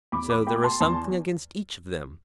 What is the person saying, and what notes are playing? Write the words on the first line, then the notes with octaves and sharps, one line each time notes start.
So there was something against each of them.
E2 B5 D6
B5 D6
B2 A3 G5 B5
D6
A5 C6
E2 A5 C6